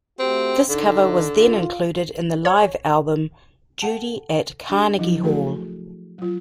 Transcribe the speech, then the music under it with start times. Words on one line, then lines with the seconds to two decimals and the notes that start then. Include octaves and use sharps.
This cover was then included in the live album "Judy at Carnegie Hall".
0.19 A3 C4 F#4 G4
0.69 D3 D#4
1.40 F4
2.45 C#5
3.82 A4 F#5 G5 A5
4.70 D4 G4
4.99 F3 F#3 E4
5.24 A3 F#4 G#4 A4
6.18 F#3 F4